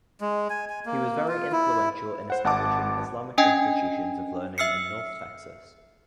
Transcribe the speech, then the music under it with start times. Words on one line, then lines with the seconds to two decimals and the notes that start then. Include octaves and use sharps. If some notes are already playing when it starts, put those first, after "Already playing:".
He was very influential in establishing Islamic institutions of learning in North Texas.
0.21 G#3
0.50 G#5
0.70 G#5
0.86 A#3
1.28 F4
1.52 E4
2.30 C5 F#5
2.44 G#1 F#5 A5 D6
3.38 C#4 D4 D#5 G5 G#5
4.58 E5 E6 F6 C7 C#7